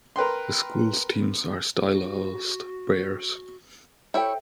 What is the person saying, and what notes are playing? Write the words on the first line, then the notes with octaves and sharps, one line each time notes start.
The school's teams are stylized Bears.
A#4 B4 G5 C6
F#4
E4 A4 C5 C#5 E5 G5